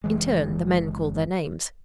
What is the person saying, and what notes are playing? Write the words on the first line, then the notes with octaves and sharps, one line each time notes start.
In turn the men called their names.
F#1 E3 G#3